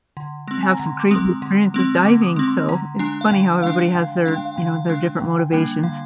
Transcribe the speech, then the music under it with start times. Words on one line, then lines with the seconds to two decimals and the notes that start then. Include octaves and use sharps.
have some crazy experiences diving; so it's funny how everybody has their, you know, their different motivations.
0.17 D3
0.48 G#3 C4 A#6
0.63 G#5
0.75 D3 A#5
0.87 C6
1.00 D6
1.11 G#3 C4 D#6
1.42 D3
1.74 G#3 C4
2.05 D3 D6
2.22 D#6
2.26 D6
2.36 G#3 C4
2.48 C6
2.69 D3 A#5
2.99 G#3 D4 G#5
3.21 F5
3.31 D3 G5
3.63 G#3 D4 F5
3.95 D3 G5
4.25 G#3 D4 F5
4.36 G5
4.45 F5
4.56 D3 G5
4.65 F5
4.75 G5
4.85 G#3 D4 F5
5.20 D3 G5
5.30 G#5
5.39 G5
5.52 G3 A#3 D4 G5
5.83 D3 F5